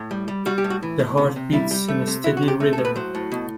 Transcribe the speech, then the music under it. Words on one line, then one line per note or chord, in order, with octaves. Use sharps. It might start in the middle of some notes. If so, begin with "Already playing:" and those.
The heart beats in a steady rhythm.
Already playing: A2
G3
G3
G3 F#4
G4
A2
F#4
E3
A2
C3
C3
G3 E4
G3
A3
C3
F#3 E4
F#4
C3
G4
A3
A4
A2
B4
F#3 C5
A2
B2